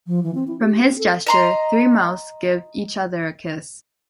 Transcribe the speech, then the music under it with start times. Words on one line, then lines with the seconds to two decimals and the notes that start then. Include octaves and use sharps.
From his gesture, three mouths give each other a kiss.
0.07 F3
0.23 E3
0.35 C4
0.48 E4
0.62 G4
0.82 C4
0.98 A4
1.27 D#5 A#5 C6